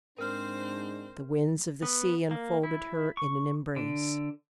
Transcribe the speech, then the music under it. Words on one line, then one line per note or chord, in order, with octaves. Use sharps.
The winds of the sea enfolded her in an embrace.
G#2 C4 D4 A#4 C5 F6
B3
A#3
E4
C#6
D3